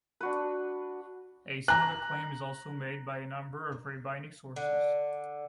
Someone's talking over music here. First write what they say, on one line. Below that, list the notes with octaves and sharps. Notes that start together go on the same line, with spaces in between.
A similar claim is also made by a number of Rabbinic sources.
D4 F#4 B4
A#5 F#6
D3